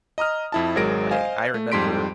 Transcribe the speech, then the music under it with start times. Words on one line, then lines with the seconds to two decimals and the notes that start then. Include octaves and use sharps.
like, I remember
0.18 D#5 A#5 D#6 F6
0.52 F2 E4 A5
0.76 G#1 F#3 G#3 A#4 A#6 D7
1.11 C5 D#5 F5 G#5
1.54 A3
1.72 F2 G#2 G3 C6 B6 D7